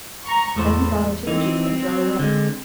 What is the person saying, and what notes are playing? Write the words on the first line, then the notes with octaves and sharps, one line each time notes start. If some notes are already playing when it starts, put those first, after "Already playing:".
Then he got into the jeep and drove away.
A#5 C#6
E2 A2 A3 C5
E3 C4 D#4
F#3
D3 G#3